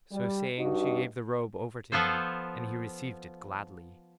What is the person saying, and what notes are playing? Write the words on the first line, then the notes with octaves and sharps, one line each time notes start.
So saying she gave the robe over to him and he received it gladly.
G3
G2 D#4 F#4 D#5
F3 B3 F4 A4 C5